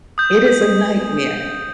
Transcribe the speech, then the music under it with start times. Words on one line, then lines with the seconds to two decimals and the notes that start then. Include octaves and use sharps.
It is a nightmare.
0.18 D#6 G6